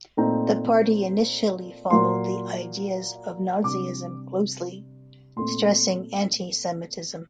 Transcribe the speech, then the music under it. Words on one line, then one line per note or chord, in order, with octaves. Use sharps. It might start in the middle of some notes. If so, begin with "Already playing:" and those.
The party initially followed the ideas of Nazism closely, stressing anti-Semitism.
A#2 A3 C4 D#4 A#5
A#2 F#3 A#3 C6
C3 G3 D4 D6
A#2 A3 C4 C6